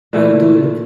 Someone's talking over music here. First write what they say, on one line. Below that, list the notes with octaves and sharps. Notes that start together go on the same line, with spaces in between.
I'll do it.
A#2 A3